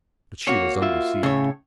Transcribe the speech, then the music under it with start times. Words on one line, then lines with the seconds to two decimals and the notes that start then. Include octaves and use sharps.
But she was undeceived.
0.47 A#3 F#4 C#5
0.82 F4 E5
1.23 A2 C#3 C#5